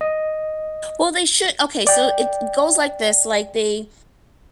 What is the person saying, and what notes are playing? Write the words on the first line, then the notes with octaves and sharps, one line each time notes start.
Well, they should okay, so it goes like this, like, they
D#5
D5 G5